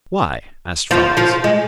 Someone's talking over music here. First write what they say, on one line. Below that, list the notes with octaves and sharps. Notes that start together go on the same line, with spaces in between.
"Why?" asked Franz.
F3 F4
F3 F4
G#3